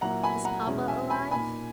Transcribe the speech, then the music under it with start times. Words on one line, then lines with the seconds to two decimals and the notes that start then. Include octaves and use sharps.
Is papa alive?'
0.01 A#2 F#3 A#3 E4 F#5 A#5
0.23 G#5 B5
0.45 F#5 A#5
0.67 E2 B2 G#3 C#4 E4
0.88 E5 G#5
1.10 G#5 B5
1.31 A#2 A#3 D#4 G#5 B5